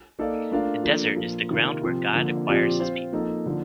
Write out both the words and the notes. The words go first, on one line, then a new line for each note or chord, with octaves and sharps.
The desert is the ground where God acquires his people.
A#3 D#4 A4 D5 F5
A3 D4 F4 A#4 F5
F3 A#3 D4 A4
A#2 F3 A#3 F4
C3 D#3 A#3 F4 A#4
C3 F3 C4 F4
D3 F3 A#3 D4
A#2 F3 C4 G4 D5
C4 F4 C5
F3 A#3 D#4 A4
D3 F3 A#3 D#4